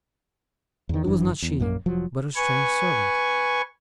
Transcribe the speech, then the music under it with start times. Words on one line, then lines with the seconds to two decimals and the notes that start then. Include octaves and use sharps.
It was not she, but a strange servant.
0.89 E2 D#3
1.05 G1 F#2 E3 D4
1.42 E2
1.60 A#1 F#2 A#2 A#3
1.86 F1 F3 F#3
2.36 B4 G#5 C#6